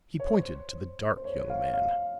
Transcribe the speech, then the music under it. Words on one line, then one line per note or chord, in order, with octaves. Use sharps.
He pointed to the dark young man.
C#5
C5
C5
C#5
F5
F5